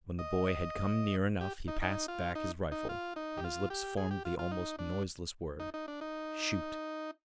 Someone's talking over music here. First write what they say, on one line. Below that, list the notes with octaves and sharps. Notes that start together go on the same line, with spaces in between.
When the boy had come near enough he passed back his rifle, and his lips formed the almost noiseless word, "Shoot!"
D#5
G4
D#4
D#4
F4
D#4
D#4
F4
D#4
G4
F4
G4
G#4
G4
F4
F4
D#4
D4
D#4
D#4
D4
D#4